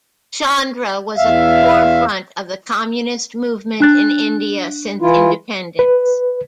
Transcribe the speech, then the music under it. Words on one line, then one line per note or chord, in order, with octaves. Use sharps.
Chandra was at the forefront of the communist movement in India since independence.
E2 E5 F5
D4 F#6 A6
E3 E4 F4
B4